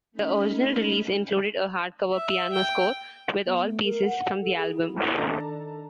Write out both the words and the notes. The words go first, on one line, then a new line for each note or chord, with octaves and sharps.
The original release included a hard-cover piano score with all pieces from the album.
A3 C#4 D#4 D#5 B5 F6
E5
G5
B3
A3
A#4
F#5
A4
G#4
E4
D#3 D4 A4 A5 A#5